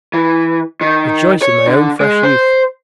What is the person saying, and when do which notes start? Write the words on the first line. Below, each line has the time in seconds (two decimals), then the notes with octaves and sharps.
"Rejoice in thy own fresh youth!"
0.13 E3
0.81 D#3
1.42 C#5
1.67 D3
2.01 G#3
2.23 C5